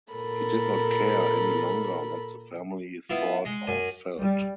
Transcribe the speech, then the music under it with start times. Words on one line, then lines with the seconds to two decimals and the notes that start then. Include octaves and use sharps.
He did not care any longer what the family thought or felt.
0.14 A#2 A4 A#4 B5
3.10 B3 E4 F4
3.45 G#3
3.67 F#2 G#5
4.19 G3